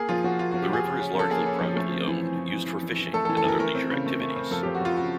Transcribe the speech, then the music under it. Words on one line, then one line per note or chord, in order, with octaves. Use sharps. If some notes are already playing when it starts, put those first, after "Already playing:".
The river is largely privately owned, used for fishing and other leisure activities.
Already playing: A#3 G#4
F3 F4
F3 F#4
A#3 F4
F3 F#4
G4
F3 G#4
C#3
C#4
F3 A4
A#3 G#4
C#4
F3
A3
C4
E3
C4
E3
E3
E3
E3
E3
A3 A4
A4
E3
A4
E3 A#4
A3 A#4
C4
C#3
A3
A3
C4
F3 A4
F3 G4
F#4
F3 F4
C#3 F#4